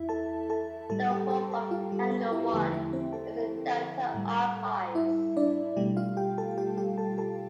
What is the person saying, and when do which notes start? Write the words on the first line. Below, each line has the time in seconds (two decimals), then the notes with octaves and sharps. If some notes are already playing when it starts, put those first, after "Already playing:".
The "hub" of Hangar One is the Delta Archives.
Already playing: E2 E4 E5
0.09 A4 A5
0.50 A4 A5
0.90 A2 G3 A4 A5
1.10 G4 G5
1.30 G4 G5
1.50 A4 A5
1.71 F4 F5
1.92 G3 G4
2.11 B3 B4
2.32 E4 E5
2.52 E2 D3 F3 A3 G4 G5
2.73 E4 E5
2.93 C4 C5
3.13 A4 A5
4.14 A2 G3
4.95 E4 E5
5.37 D4 D5
5.76 B2 G3 A3 G4
5.97 F4 F5
6.17 G4 G5
6.38 A4 A5
6.58 G4 G5
6.77 G4 G5
6.98 A4 A5
7.18 A4 A5